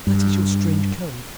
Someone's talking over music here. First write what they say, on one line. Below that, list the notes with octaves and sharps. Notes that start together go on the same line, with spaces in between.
That is your strange code.
G2